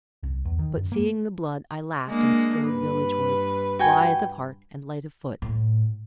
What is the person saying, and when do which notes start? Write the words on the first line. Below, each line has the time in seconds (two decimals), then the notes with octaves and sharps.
But, seeing the blood, I laughed, and strode villagewards, blithe of heart and light of foot.
0.23 C2
0.45 E2
0.59 D#3
0.76 F#2
0.92 A#3
2.08 G#3 A#3 D4
2.65 G2 B4
3.79 F#4 G5 G#5
5.42 A2